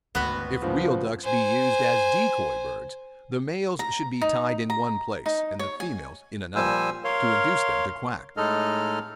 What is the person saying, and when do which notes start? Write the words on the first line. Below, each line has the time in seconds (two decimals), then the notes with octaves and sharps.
If real ducks be used as decoy-birds, the males should be tied in one place and the females in another, to induce them to quack.
0.15 G#1 D2 E3 B3 F#4 B4
0.62 G2 A#2 C#3 F3
1.24 C5 G#5
3.79 A#5
4.21 D#4
4.70 A#5
5.26 D#4
5.59 C#5
5.80 G#5
6.55 A#2 F3 G3 C5 G#5 E6
7.04 A#4 C#5 F5 C6
8.37 A2 G#3 D#4 A4 D#5 F6